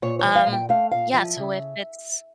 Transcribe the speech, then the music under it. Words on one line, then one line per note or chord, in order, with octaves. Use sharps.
Um, yeah, so if it's
A#2 C#5
C#5
F3
F5
A#2
G5
A3 F5
A#2 F5
F3 E5
C#3